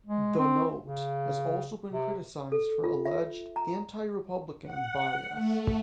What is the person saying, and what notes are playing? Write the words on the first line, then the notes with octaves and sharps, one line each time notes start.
The Note has also been criticized for alleged anti-Republican bias.
G#3
C4
C#3
C3
A4
F4
E5
A#5
F#5
A3